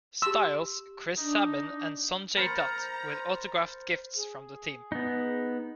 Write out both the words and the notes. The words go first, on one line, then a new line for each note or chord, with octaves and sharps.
Styles, Chris Sabin, and Sonjay Dutt with autographed gifts from the team.
G4 C6 E6
D4 D#4
A#4 C5 A#5 B5 A6 C#7
G#4
B3 D#4